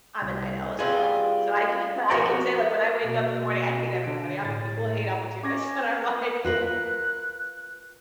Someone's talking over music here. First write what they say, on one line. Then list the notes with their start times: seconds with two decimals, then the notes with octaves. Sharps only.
I'm a night owl, as well. So, I ca I can say, like, when I wake up in the morning, I hate everybody, I'm an equal hate opportunist, and I'm like, "Oh,"
0.22 C2
0.79 G3 C4 F4 G#4 B4
2.10 F3 F#4 A#4 C5 D5 D#5
3.05 B2 A#3
4.04 D3 D7
4.45 A2 A6
5.43 C#4 D6 G#6 A#6
6.44 F4 A#4 B4 F#6